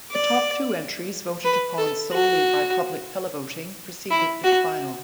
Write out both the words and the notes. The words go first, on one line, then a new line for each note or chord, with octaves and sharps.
The top two entries voted upon solely by public televoting proceeded to the final.
D5
B4
A4
F#4
E4
F#4